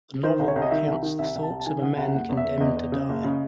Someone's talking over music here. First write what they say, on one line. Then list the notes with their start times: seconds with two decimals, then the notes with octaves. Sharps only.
The novel recounts the thoughts of a man condemned to die.
0.23 D#3 C5
0.39 C2
0.48 C#5
0.56 C2
0.62 D#5
0.71 D#3 E5
0.87 C2
1.03 D#3
1.19 C2 E5
1.35 C2
1.43 A5
1.50 C2
1.60 A5
1.66 D#3 G#5
1.81 C3 F#5
1.97 C2 F#5
2.13 F#1 F#5
2.29 E2
2.37 E5
2.45 E2
2.60 E2 D#5
2.76 E2
2.92 C#3
3.09 F#1
3.24 C#3